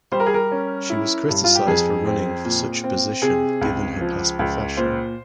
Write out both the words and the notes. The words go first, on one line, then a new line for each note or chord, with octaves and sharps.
She was criticized for running for such a position, given her past profession.
G3 C5
A#4
G#4
A#4
C#4
E4
G2
F4
G4
F2 G#4
C4
A#2
C4
C3 G#4
C#2
F3
C#2
A#2 C5